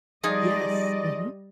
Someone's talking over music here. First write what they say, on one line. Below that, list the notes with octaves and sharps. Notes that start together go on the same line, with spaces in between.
Yes, mhm.
F3 G3 D#4 G#4 D5 D#5